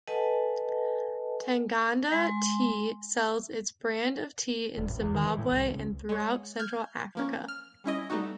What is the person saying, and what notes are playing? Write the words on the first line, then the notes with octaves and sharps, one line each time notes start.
Tanganda Tea sells its brand of tea in Zimbabwe and throughout central Africa.
A4 B4 D#5 F#5 G#5 A5
G#3 G#5 C6
E1
A1
E2
D#3
E3
A2
C2
C#2
G#3 C#5
F6 G6 G#6
F3 A#3 C#4
F6
G3 C#4 E4 D#5
G3 A3 B3 D#4 F#4